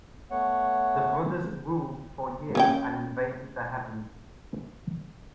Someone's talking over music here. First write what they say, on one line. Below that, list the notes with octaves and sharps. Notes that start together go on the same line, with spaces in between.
The brothers ruled for years and invaded the heavens.
A3 B3 C#5 F#5
A#3 C#4 G5